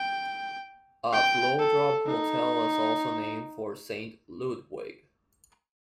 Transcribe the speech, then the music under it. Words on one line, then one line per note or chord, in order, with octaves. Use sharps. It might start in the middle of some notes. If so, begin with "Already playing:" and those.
A Vlodrop hotel is also named for Saint Ludwig.
Already playing: G5
G5
A4
D#4